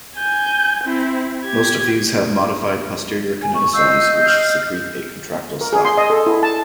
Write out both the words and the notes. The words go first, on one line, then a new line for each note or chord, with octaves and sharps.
Most of these have modified posterior kinetosomes which secrete a contractile stalk.
G#5 G6
C4 E4
G4 G#6
G#5
C#6
D#5 F5 E6 G6
F6
A#4
G#4
C6
D#5
A4
E4
A5